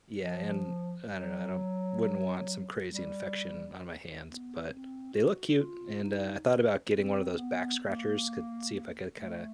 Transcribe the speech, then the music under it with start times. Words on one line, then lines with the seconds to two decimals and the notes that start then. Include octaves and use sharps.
Yeah, and I don't know, I don't wouldn't want some crazy infection on my hands, but they look cute, and, uh, I thought about getting one of those back scratchers could see if I could kinda
0.21 F3
1.09 F#3
2.90 G3
4.24 B3
4.69 C4
5.13 F#4
5.58 F4
6.03 D#4
6.93 C4
7.37 B3
7.83 A#3
9.17 A3